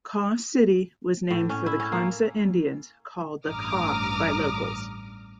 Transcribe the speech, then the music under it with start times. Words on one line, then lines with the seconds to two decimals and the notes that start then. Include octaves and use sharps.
Kaw City was named for the Kanza Indians, called "the Kaw" by locals.
1.30 A2
1.49 C#4
1.66 E4
1.80 C#4
1.92 A#3
3.47 A1 G2 A#5 D6 D#6 F6